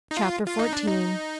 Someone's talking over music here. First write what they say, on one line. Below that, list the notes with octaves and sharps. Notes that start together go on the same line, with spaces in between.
Chapter XIV.
D#4
F4
F4
D#4
D4
D#4